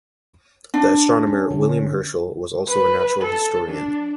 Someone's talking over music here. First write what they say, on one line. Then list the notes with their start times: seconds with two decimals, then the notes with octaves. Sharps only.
The astronomer, William Herschel was also a natural historian.
0.74 D4
1.27 C#4
1.50 D3 C#4
2.68 B4
3.22 A4
3.69 D4